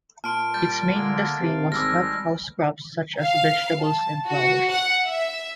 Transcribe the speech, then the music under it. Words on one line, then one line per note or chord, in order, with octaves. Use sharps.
Its main industry was hothouse crops such as vegetables and flowers.
A#2 A5 C6 F6 D7
G3 G6 A6
D3 G#3 A#3
C3 F5
G#1 G3 G#3 D6 E6 F6 A#6
F5
A5
F#4
F#5
E5